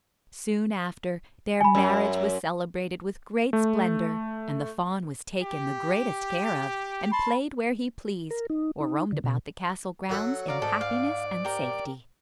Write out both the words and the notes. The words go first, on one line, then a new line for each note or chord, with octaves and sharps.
Soon after, their marriage was celebrated with great splendour, and the fawn was taken the greatest care of, and played where he pleased, or roamed about the castle grounds in happiness and safety.
G#5 B5
F#2
A3
G4
A5 B5 C6
A#4
D#4
D#4
D3
B2
F#3 A4 F#5
D5 F5 A#5
G#2 A4
F5
G4 A#4